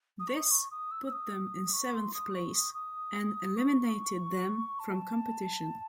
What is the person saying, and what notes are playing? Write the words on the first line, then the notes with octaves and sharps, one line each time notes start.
This put them in seventh place and eliminated them from competition.
D#6
C#6
D#6
C#6
D#6
E6
E6
D#6
C#6
C6
D#6
C#6
D#6
D#6
C#6
A5